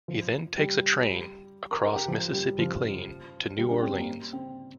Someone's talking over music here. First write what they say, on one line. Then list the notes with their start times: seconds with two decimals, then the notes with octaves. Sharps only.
He then takes a train "across Mississippi clean" to New Orleans.
0.08 F3
0.58 G3
1.71 A#4
1.84 A#4
1.96 G4
2.08 F3
2.33 G3
2.59 F3
3.58 G3
3.70 D4
3.82 C4
3.96 A#3
4.33 C4